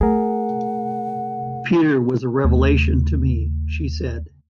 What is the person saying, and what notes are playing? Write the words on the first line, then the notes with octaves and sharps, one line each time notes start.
"Peter was a revelation to me," she said.
A3 G#4 A#4 F#5
D#2 A3